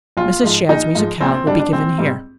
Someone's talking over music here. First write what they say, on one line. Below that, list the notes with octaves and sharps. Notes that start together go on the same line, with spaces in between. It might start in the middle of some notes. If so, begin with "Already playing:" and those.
Mrs. Shadd's musicale will be given here.
A#1 F4
G#2 F3 G#3
A#1 D#4
G#2 F3 G#3
A#1 C4
C4
G#2 G3 D4
D4
A#1 C4
G#2 G3